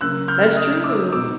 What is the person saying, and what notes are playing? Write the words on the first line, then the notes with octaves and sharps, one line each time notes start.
That's true.
C#3 F#3 A#3 E6 F#6
F6 G6
D#6 F6
D6 E6
B2 G3 B3 D#4 D6 E6